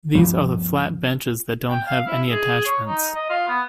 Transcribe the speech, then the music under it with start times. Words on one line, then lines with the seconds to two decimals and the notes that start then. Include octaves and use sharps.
These are the flat benches that don't have any attachments.
0.15 D2 G2 F3 G3
1.69 G5
1.87 F5
2.06 E4
2.30 G#4
2.65 C#5
2.86 D#4
3.15 D#5
3.30 F4
3.48 B3